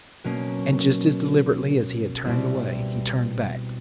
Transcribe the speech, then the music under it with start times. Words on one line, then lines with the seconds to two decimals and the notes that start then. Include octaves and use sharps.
And just as deliberately as he had turned away, he turned back.
0.24 B2 F#3 A#3 C#4
2.24 B2 G3 C4 E4